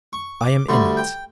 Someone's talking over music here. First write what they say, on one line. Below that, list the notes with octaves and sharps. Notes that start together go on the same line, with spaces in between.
I am in it.
C#6
D6
D2 D3 G3 C#6
G5